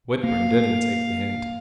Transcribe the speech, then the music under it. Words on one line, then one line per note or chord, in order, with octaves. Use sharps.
Whitburn didn't take the hint.
A#3 F5